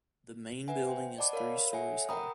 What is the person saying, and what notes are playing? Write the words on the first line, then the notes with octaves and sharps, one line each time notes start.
The main building is three stories high.
B4 E5 F#5 G#5
C5 G5
D5 D#5 F#5 A5 B5 D6
A#4 C#5 F5 B5
A4 C#5 E5 F#5 G#5 C#7
A#4 F#5 G5 A#5 B5 D#6